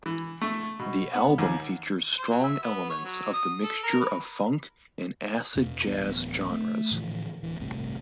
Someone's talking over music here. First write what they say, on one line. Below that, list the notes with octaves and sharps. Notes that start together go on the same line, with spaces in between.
The album features strong elements of the mixture of funk and acid jazz genres.
E3
A3
B2
B3
D#2
C5
F#3
E5
B3
C#5
F#3
D#6
A4
A#4
B4
E2 B2
D1 A1 A2 B3
A3
A2 D3 E3 F3
D1 E3
G1 C2 A2 C3